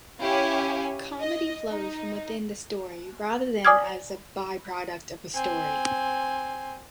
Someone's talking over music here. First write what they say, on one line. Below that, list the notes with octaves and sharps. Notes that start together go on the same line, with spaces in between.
Comedy flows from within the story rather than as a by-product of story.
C#4 E4 G4 C#5 F5 G#5
D#5
D#4
D5 G#5 D6 D#6 F6 G#6
C4 G#5